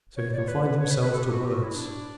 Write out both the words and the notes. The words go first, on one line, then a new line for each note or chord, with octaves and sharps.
So he confined himself to words.
C#5
D5
C#5
B4
B4
C#5
B4
B4
A4
G4
F#4
G4
F#4
E4
D4